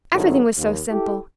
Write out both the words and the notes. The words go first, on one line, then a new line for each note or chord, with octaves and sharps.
Everything was so simple.
G#1 G2 D#3 F#3 E4 A4
D#2
E4 G4 A4